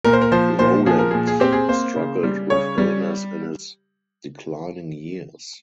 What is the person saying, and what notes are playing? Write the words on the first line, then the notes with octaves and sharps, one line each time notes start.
Rowland struggled with illness in his declining years.
A#2 A#4
C5
A#4
F3 C5
A#2 C5
F3 G#4
A#4
A#2 G#4
G#4
C4 G4
G#4
A#3 C5
C#3
G3
C#3 C#5
G3